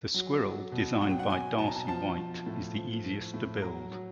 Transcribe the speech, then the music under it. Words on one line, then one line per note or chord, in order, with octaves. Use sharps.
The Squirrel, designed by Darcy Whyte is the easiest to build.
F#3
F#3
B2
F#3 F#5
G5
F#5
F#3 G#5
B2 A5
A#5
A5
F3 A5
F3
A2
F3
F3
A2
F#3 A#5
F#3